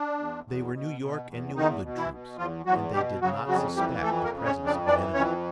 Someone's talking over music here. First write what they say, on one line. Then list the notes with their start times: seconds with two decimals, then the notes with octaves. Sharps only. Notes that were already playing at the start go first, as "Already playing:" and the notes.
They were New York and New England troops and they did not suspect the presence of an enemy.
Already playing: D4
0.18 E2
0.45 E2
0.73 B2
1.00 B2
1.28 E2
1.55 E2 D#3 D#4
1.83 B2
1.97 E3 E4
2.11 B2
2.38 E2 F3 F4
2.66 E2 F#3 F#4
2.93 B2 G3 G4
3.21 C#3 F#3 F#4
3.49 F2 F#3 F#4
3.76 E3 G3 G4
4.03 F2 A3 A4
4.24 A#3 A#4
4.31 C#3
4.45 C#4 C#5
4.59 F2
4.66 D4 D5
4.86 E3 D4 D5
5.14 F2 C#4 C#5